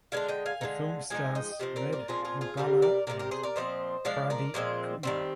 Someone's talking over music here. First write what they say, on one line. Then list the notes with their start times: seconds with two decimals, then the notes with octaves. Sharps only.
The film stars Madhubala and Pradeep Kumar.
0.12 D3 G#3 D4 F5 G#5
0.28 D#5 G5
0.46 F5 G#5
0.61 D3 G#3 D#4
1.10 F3 G#3 D#4 G#5
1.35 D#5 G5
1.59 C3 F3 C4 D#5
1.76 A#4 D5
1.93 A#4 D5
2.08 A#2 F3 G#3 C4 F4 G#4
2.25 F4 G#4
2.41 F4 G#4
2.57 C3 G3 C4 G4 A#4
2.82 A#4 D5
3.07 C3 G3 C4 A#4 D5
3.19 G4 A#4
3.31 G#4 C5
3.43 A#4 D5
3.56 A#2 F3 C4 C5 D#5
4.05 F3 G#3 D4 D5 F5
4.30 A#4 D5
4.54 A#2 F3 G#3 C4
5.03 D#3 G3 C4